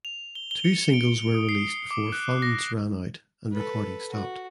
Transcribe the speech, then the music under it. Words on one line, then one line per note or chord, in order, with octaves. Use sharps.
Two singles were released before funds ran out and recording stopped.
F7
G7
G7
C#7
D7
D#6
C7
D6
F#6
A#6
A4 B4
F#4